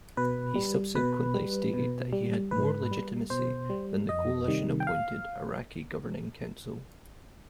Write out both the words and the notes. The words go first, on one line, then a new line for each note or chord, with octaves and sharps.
He subsequently stated that he had more legitimacy than the Coalition-appointed Iraqi Governing Council.
B2 B4
G3
B2 B4
G3
B2
G3
G#2 B4
G3
B2 C5
G3
F2 D#5
C3 D#3 G3
G5
F5